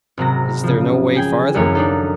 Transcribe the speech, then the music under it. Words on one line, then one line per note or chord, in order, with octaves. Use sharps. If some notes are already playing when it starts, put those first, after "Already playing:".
"Is there no way farther?"
G#1 C3 F#3 A#6
C#3 F3
G#4 G5 G#5
D#1 F#2 F3 E4 C#5
D4 D#4 A4